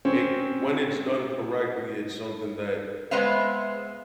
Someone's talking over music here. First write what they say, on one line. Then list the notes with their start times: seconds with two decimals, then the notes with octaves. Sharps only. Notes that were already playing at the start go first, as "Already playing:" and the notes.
it c When it's done correctly, it's something that
0.05 C4 C#4
3.11 G#3 B3 B4 C5 E5 F5